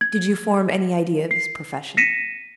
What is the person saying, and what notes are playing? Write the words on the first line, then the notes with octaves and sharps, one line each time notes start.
"Did you form any idea of his profession?"
G#6
C7
A#6 B6 C#7 D#7 E7